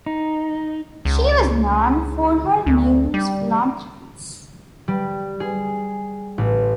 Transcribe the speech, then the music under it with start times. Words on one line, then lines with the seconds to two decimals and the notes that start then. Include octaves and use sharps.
She was known for her numerous philanthropies.
0.06 D#4
1.05 C#2
2.66 D2
3.14 G3
4.88 G3
5.40 G#4
6.38 A1